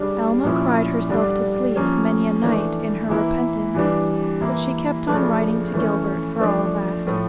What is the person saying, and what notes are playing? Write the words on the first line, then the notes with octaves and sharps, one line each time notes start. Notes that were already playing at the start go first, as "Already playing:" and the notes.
Alma cried herself to sleep many a night in her repentance, but she kept on writing to Gilbert, for all that.
Already playing: C#3 G3 D4
A#2 F3 C#4 E4
D3 G3 D4
F3 A#3 C#4
E3 A3 D4
E3 A#3 E4
E3 G3 D4
E3 A#3 E4
C#3 F3 A3 D4
E3 A3 C#4
F3 A3 D4
A2 F3 A3